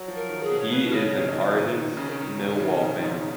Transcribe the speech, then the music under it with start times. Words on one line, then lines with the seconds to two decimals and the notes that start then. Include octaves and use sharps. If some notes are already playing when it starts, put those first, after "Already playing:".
He is an ardent Millwall fan.
Already playing: F#3
0.08 F3
0.16 A#4
0.29 D#3
0.43 G#4
0.50 B2
0.59 C#5
0.71 C#3 B4
0.87 B2
0.92 C#3
1.00 C#5
1.13 F#3
1.27 F#3 D#5
1.34 F3
1.55 D#3 B4
1.75 D#4
1.97 C#3 C#4
2.09 D#3 C#4
2.18 C#3 D#4
2.38 B2
2.50 D#3
2.59 C#3
2.80 B2
3.01 G#2